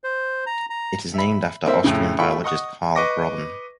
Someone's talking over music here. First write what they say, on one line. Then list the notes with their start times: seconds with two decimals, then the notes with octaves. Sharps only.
It is named after Austrian biologist Karl Grobben.
0.04 C5
0.46 A#5
0.70 A#5
1.14 E5 B5
1.67 A#3 C4 E5
1.84 F2 A2 C#3
2.19 A3 F4 G5 B5 C#6
2.44 D#5 F#5 C#6 D#6
2.96 B4 D#5 C#6 D6 A#6